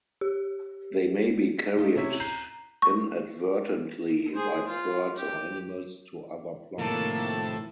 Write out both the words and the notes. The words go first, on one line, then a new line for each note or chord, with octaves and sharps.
They may be carried inadvertently by birds or animals to other plants.
G4
A3 D#4 F4
C3 C#4 E4 B6
A#5 G6 C7
C#6
G#4 C5
F4
G4
A2 C3 D#3 F3 A#3 A4 A5